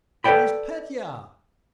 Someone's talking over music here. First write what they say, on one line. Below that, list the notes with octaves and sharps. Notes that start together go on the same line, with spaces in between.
Here is Petya!
A4 B4 C#5 D5 G5 B5